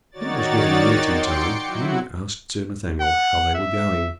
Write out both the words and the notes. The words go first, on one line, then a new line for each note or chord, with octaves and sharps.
When it was getting near tea-time, Mimi asked Sir Nathaniel how they were going.
D#3 D#4 F#4 C#5 D5 A6
G5 C6 D6 C#7
F#3 E4 F#4
F#5
E5